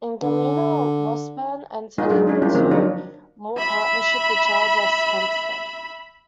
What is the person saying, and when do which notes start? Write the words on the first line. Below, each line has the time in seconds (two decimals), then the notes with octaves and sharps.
In Galena, Wasburne entered into law partnership with Charles S. Hempstead.
0.22 D3
1.98 G#3 A#3 D#4 F4 G#4
2.11 F#3 G#3 D4
2.27 C#4 D#4
2.42 G3 A#3 C#4 E4 F4
2.54 D3 F3 A#3 C4 D#4
2.71 F#3 D4 D#4 C#5
3.58 E5 B5